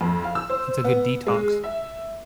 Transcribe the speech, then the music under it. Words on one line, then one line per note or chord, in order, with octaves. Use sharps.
it's a good detox.
F2
F5
E6
C5
B3
G#3
E5